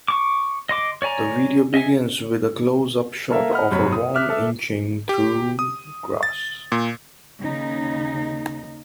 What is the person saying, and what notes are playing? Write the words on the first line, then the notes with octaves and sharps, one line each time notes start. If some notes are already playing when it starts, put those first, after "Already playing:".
The video begins with a close-up shot of a worm inching through grass.
C#6 D6
D#5 C6 D6
C#5 D5 G#5 A#5
D#5 E5 G#5
A#3 A4 A#4 E5 F5
D#5 F#5 B5 F6
F#1 F#2 C3 C#5 B5
D#6
E5 D6 F6 F#6 B6
A4 E5
G4
D#6
A6
A#2
D#2 C#3 D#4